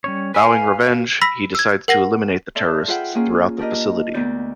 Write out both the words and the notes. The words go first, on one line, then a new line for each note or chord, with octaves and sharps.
Vowing revenge, he decides to eliminate the terrorists throughout the facility.
G3 C#4 C#5
B4 F5 G#5
F#4
B5 E6 A#6 B6
E6 G#6
A#4 F#5 A#6
A4 D5 E5 C6
F4 G#4 B4 E5 F#5 G5
A#3 C#4 F4 G#4
D4 G4 A#4 D#5
D2 B3 D#4 D5 G6